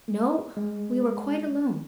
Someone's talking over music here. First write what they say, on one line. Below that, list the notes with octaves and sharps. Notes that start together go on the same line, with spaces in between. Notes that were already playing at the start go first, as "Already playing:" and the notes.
"No; we were quite alone."
G#3